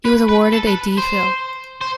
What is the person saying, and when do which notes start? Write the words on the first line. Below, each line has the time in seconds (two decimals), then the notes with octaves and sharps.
He was awarded a D. Phil.
0.06 B4
0.29 B4
0.53 A4
0.67 B4
0.98 C5
1.81 C5